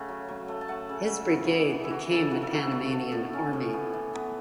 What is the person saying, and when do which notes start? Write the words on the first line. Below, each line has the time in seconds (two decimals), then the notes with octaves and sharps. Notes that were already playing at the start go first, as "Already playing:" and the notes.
His brigade became the Panamanian army.
Already playing: C#3 A3 F#5
0.08 F#3
0.28 F#3
0.48 A3
0.61 A5
0.68 A3 F#5
0.89 C#3
1.09 C#3 E5
1.29 B3 E4
1.50 E3
1.71 B3
1.84 E4
1.90 E3 F#4
2.11 C#3 A4
2.31 C#3 F#4
2.42 A4
2.51 A2 F#4
2.62 A4
2.71 A3 F#4
2.92 A3
3.12 A2 A4
3.33 C#4
3.53 A2
3.73 B3
3.93 E3
4.13 B3